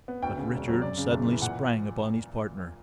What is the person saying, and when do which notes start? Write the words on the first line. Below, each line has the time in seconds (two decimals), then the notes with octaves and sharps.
But Richard suddenly sprang upon his partner.
0.08 B3
0.22 D2 G5
0.38 C#3
0.52 E1
0.68 F#3
0.82 F#2 D5
0.97 C#3
1.12 F#1
1.27 E3
1.42 A#2 F#5